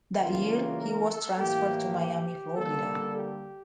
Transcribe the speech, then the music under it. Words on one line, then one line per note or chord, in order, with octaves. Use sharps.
That year, he was transferred to Miami, Florida.
C#3 E3 G3 A#3 F4
A#4
A4
A2 E3 A#3 G4
G4
D3 G3 A#3 A4
G4